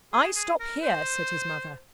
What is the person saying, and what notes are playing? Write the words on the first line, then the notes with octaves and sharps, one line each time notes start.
'I stop here!' said his mother.
G#4
G#4
A#4
C5